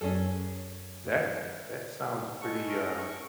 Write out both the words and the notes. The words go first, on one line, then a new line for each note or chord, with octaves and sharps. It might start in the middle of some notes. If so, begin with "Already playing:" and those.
that that sounds pretty, uh
F#2 C#4 G#4 A4
G#3 A4 C#6
A#4
C#6